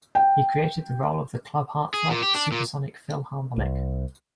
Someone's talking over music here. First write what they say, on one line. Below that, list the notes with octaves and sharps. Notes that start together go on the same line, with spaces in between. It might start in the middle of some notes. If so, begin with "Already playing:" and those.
He created the role of the club heart-throb, Supersonic Phil Harmonic.
G5
G#4
A#2
G4
D4
A#2
C2